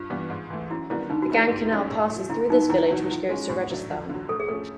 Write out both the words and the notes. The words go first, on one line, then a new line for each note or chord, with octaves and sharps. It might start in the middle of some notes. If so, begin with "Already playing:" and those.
The Gang canal passes through this village which goes to Rajasthan.
Already playing: G2 F4
E3 G3 B3 D4
G#2
E3 A3
F#2 E4
D#3 G3 B3 D4 E4
D3 D#4
F#4
F3 A3 D4 F4 G4
G#2
F3 G#3 C#4 E4
A2
F3 A3
D3 E4
F#3 B3 D#4 E4
E2 E4
B2 F#3
F3
G#3 C#4
A2 F#4
F#3 A3 D4
F2
D3 F#3
A2 A4
G#4
F3 A3 C#4 A4